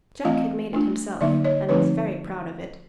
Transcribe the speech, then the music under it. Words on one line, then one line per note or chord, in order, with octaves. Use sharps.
Jack had made it himself and was very proud of it.
E3 A3 C4 F4 D#5 F5
A3 D4 F4
D3 F#3 A#3 D#4 D5 E5
C#5 D#5
D3 F3 A3 C4 D#4 B4 C#5